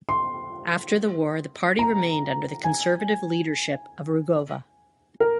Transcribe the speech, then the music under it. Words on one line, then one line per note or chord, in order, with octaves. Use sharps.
After the war the party remained under the conservative leadership of Rugova.
C6
A#5
G#5
A#4